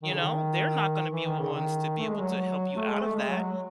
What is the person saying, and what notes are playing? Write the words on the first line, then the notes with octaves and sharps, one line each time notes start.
you know? They're not gonna be the ones to be able to help you out of that.
D#3
C#3
D#3
E3
D#3
C#3
D#3
A3
G#3
F#3
A3
G#3
A3
G#3
F#3